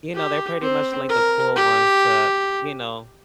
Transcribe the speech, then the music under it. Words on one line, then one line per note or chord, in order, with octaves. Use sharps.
you know, they're pretty much, like, the cool ones to, you know,
G4
C4
A#4
G4